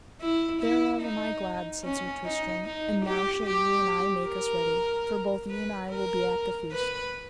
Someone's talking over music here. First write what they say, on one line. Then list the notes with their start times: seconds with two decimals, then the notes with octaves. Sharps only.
Thereof am I glad, said Sir Tristram, and now shall ye and I make us ready, for both ye and I will be at the feast.
0.21 E4
0.61 E4
1.02 D#4
1.83 C#4
2.24 D#4
2.65 D#4
3.05 G4
3.46 G4
4.27 A#4
5.50 B4
5.90 A#4
6.72 B4